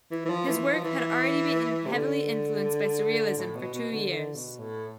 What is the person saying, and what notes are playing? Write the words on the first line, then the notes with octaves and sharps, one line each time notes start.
His work had already been heavily influenced by surrealism for two years.
E3
E3
F3
E3
F3
E3
C3
D3
A2
B2
B2
D3
D3
B2
A2